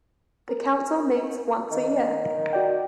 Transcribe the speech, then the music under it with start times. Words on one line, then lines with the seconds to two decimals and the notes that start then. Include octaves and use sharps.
The Council meets once a year.
0.49 A#4
1.71 D#3
2.53 F#4 D5 G5